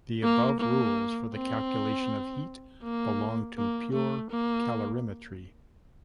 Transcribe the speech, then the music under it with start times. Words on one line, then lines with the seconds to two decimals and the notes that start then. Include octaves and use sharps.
The above rules for the calculation of heat belong to pure calorimetry.
0.23 A#3
0.60 A#3
1.34 C4
2.83 A#3
3.57 A#3
3.93 A3
4.30 A#3